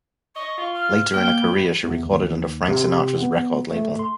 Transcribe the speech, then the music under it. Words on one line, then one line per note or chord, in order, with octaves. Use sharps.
Later in her career she recorded under Frank Sinatra's record label.
D#5 C#6
F4
F6
A#3 G5
B5
E2
D#2
C3
B3
A3
C6